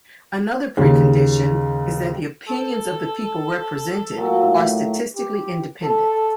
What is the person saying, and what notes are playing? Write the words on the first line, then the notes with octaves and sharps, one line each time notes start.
Another precondition is that the opinions of the people represented are statistically independent.
D#2 C#3
A4
A#2 F#3
A2
G4
A4